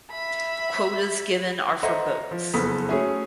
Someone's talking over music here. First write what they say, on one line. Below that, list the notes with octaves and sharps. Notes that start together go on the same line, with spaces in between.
Quotas given are for boats.
E5 B5
A4 C5 D#5 E5 F#5 A#5
F3
F#1 F2 B3 A4 D#6 B6
A3 C#4 F#4 G#4 E5